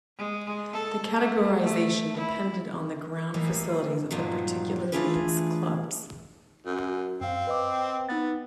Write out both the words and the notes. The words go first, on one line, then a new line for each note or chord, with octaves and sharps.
The categorisation depended on the ground facilities of the particular league's clubs.
G#3
A4
A3
A3
E4
A2 E3 A#3 D#4
G2 A#2 D#3 F3 F#3
E3 A3 D4 F4 G#4 B4
F#2
F#2 C4 F5
B4 D#5 D6
B3 D#4 A6